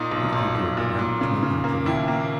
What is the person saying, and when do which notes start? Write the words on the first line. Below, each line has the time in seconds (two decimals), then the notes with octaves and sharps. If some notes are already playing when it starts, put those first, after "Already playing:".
She figured it out to amount to that.
Already playing: A#2 D#4
0.11 B1
0.33 B1
0.55 B1
0.77 A#2
0.99 A#2
1.21 C#3
1.43 C#3
1.64 A#3
1.86 D#2 E4
2.08 A#3